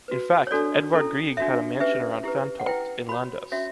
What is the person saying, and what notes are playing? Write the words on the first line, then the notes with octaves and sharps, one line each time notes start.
In fact, Edvard Grieg had a mansion around Fantoft, in Landås.
F#4 B4
C#5
D4 F#4 A4 D5
C#4 E4 A4
D4 F#4 C#5 E5
C#4 G4 B4 E5
E4 G4 B4
F#5
E4 B4 G5
F#4 C#5 B5
C#4 F#4 C#5 E5